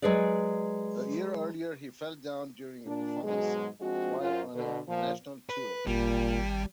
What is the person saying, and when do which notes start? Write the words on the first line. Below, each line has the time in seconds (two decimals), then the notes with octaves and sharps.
A year earlier, he fell down during a performance while on a national tour.
0.02 F#3 G#3 G#4 B4 D5
2.87 A#2 D4
3.24 G#2 B2 F#3 G#3
3.81 F3 G#3 C4 D4 F#4
4.20 F#2 F4 C5
4.54 B2 D3
4.88 A#2 F3
5.49 B4
5.87 G#1 A#2 G3